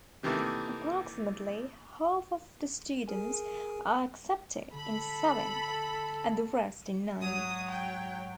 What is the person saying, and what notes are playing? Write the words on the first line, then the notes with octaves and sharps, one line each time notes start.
Approximately half of the students are accepted in seventh, and the rest in ninth.
C3 D#3 E3 A3 A#3
G#4 A#4 G#5
D3 A4 B5
G#2 F#3 D#6
G5